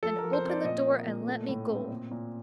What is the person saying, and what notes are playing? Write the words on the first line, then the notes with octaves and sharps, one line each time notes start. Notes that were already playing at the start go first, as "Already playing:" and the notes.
"Then open the door and let me go."
F3 A4
A#4
F3
C5
C4 D5
A#2 D#5
A#3
A#2
A3
A2
C4
A#2
A#2